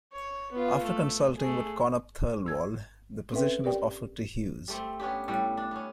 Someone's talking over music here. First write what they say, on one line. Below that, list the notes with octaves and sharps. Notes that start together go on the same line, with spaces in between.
After consulting with Connop Thirlwall, the position was offered to Hughes.
C#5
B3 F4
A3
A3 G#4
E6 G#6
C4 C#4 A4 B4 E5 G5
G4 A#4 D5 G5
G3 A3 C4
B3 C#4 D4 G4
A2 G3 A3 G4
D4
B3 C#4